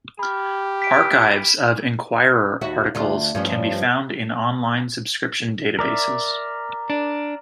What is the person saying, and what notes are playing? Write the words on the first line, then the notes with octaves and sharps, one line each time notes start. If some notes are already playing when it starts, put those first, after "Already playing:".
Archives of "Enquirer" articles can be found in online subscription databases.
G4 B5 F6
B6 D7
D#2 F#4 E5
D2 F4
G2 F3 C#4
A#4 D5 E5
D4